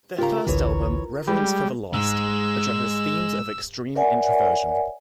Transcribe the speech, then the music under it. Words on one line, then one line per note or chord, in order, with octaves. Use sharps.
Their first album, "Reverence for the Lost", addresses themes of extreme introversion.
C#3 F4 G4 A#4 A#5
A1 D2 D3 E3 C#5
G3 G#3 B5
G#2 G#3 E6
A#4 C#5 D5 E5 F#5 G#5